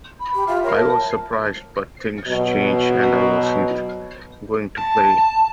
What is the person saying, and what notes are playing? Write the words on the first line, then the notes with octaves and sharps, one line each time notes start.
I was surprised but things change and I wasn't going to play.
B5
G4
F4 E5
A#4 C#5
A5
B2 F#3
A5